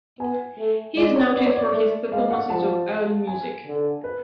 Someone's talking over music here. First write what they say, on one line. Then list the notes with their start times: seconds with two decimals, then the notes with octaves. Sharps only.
He is noted for his performances of early music.
0.20 B3 G#5
0.59 A3
0.96 G#3 D5
1.16 C#5
1.35 B3 D5
1.46 C#5
1.57 D5
1.74 A3
2.12 G#3 F5
2.31 F#5
2.50 F3 A5
3.27 G#5
3.66 D3
4.04 B4